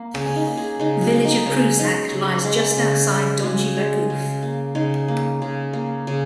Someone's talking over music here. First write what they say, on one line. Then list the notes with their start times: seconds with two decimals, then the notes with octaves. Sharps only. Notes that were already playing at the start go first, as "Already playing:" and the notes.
The village of Prusac lies just outside Donji Vakuf.
Already playing: A#3
0.14 C#3 C#4
0.26 C#4
0.36 D#4
0.47 A#3
0.57 G#4
0.80 C#3 D#4
1.02 F#4
1.13 A#3
1.24 D#4
1.46 C#3 C#4
1.79 G#3 D#4
2.12 C#3
2.45 G#3
2.77 C#3
3.10 G#3
3.44 C#3 F#4
3.77 G#3
4.10 C#3
4.43 A#3
4.75 C#3 D#4
5.08 A#3
5.42 C#3
5.73 A#3
6.07 C#3